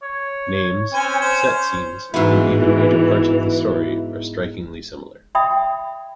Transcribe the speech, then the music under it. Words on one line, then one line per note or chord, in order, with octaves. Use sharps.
Names, set scenes, and even major parts of the story, are strikingly similar.
C#5
C4 C#4 C5 G#5
C5
G#2 E3 B3 E4 F#4 E5
E5 G5 B5 D#6